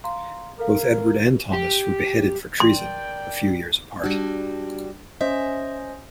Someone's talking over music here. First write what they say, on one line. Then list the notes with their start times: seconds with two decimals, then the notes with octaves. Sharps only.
Both Edward and Thomas were beheaded for treason, a few years apart.
0.04 F5 A#5 C6
0.59 A4 A#4 F5
1.53 G4
2.60 A#4 D5 G5 C6
4.04 G3 D4 F#4
5.21 C#4 C5 D#5 E5